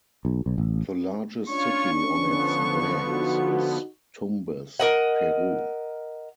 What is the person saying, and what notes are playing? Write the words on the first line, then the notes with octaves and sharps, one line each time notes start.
The largest city on its banks is Tumbes, Peru.
B1
B1
A1
C#4 D4 F4 C#5 C#6
D3 F3 B3
D#4 F#4
A#4 D#5 F#5